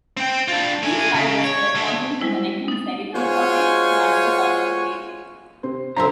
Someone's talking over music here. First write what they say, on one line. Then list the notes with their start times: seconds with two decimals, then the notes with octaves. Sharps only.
These fibers are responsible for connecting the cerebral cortex to another cortical area.
0.17 C4 G5
0.48 D4 F4
0.83 A3 G#5
1.14 C#3
1.44 C#5
1.75 D3 A3
2.20 G3 G#3 E4 C5
2.68 D#4 A6
3.13 G#3 F4 F#4 C5 C#5 G#5
5.63 C3 C4 C5
5.96 F#2 C#3 F3 D4 A4 C5 E5 A#5